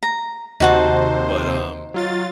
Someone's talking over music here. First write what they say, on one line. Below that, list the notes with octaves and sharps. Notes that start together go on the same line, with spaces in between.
but, um
A#5
D#2 C3 D#4 F#4 C5 A5
F#3 F4 A6